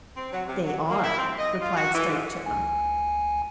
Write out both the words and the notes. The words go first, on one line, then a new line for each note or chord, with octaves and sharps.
"They are," replied Striped Chipmunk.
C4
F#3
C3
F#3
A#3
E4
C4
D#5
F4
F#4
E3
G#2
C#2 G#5